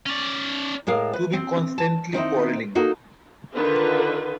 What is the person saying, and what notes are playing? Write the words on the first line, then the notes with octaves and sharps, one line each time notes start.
To be constantly quarrelling.
C#4 D5
A2 G#3 A#4 F5
B4
C4
A5
D#3 C4 D#4 E4
A#3 D#4 F#4 A4 A#4
D3 D#3 F4 B4